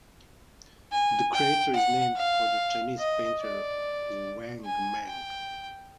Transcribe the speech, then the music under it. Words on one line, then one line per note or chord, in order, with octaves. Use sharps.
The crater is named for the Chinese painter Wang Meng.
G#5
G5
F#5
F5
D#5
D5
G#5
G5